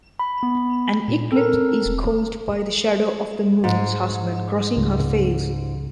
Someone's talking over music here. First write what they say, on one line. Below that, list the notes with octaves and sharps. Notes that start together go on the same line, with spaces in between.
An eclipse is caused by the shadow of the moon's husband crossing her face.
B5
B3
A#2
C4 A4 A#4
E1
G#2
C#2